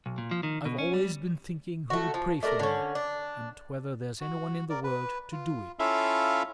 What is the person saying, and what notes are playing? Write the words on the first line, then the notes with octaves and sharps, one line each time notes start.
I've always been thinking who would pray for me, and whether there's any one in the world to do it.
B1
A#2
F3
D#3
B2
C#4
G3
A3 F#4
F3
A3 D4 F#4 A#4
D3 C#4
D4
F#4
A#4 D5
B4
F4
C#4 E4 F4 A4 E5 F5